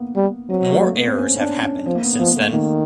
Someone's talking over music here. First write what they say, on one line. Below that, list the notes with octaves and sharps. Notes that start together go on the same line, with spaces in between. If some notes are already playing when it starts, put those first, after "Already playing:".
More errors have happened since then.
Already playing: A#3 B3
G3
F#3 C4
A3
A#3
B3
C4
C#4
C#4
D4
C#4
F3 C4
A#3
B3
B3
F3 A#3
A#3
A3
D#3 A#3